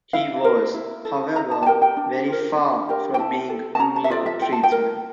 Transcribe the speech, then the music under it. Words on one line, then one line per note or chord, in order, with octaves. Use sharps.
He was, however, very far from being a mere tradesman.
E4 F5
A#4
E4
A4
E4 A#5
A5
A5
G4 A#4 G5
G5
D4
F4 A#4
D4
G4 A#4
G5
E4 A5
A4
A5
C#4 A#5
A5
E5
F4 A4 D5
E5
E4 G5
A5
G5
A#4